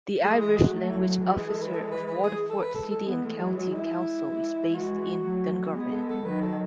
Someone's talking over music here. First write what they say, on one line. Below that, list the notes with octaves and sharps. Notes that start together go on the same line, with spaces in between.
The Irish Language Officer of Waterford City and County Council is based in Dungarvan.
E3 G#3 G#4
G#4
F#4
F#3 A3
E4
F#4
E3 G#3 F#4
G#4
A4
B4
A4
B4
B4
G#4
A4
B4
E3 G#3 A4
A4
B3
A3
F#3
F#3
E4
E3 G#3
E3 G#3 F#4
F#3 A3
G#3 B3 G#4
A4
A4
D#3 F#3 B4
A4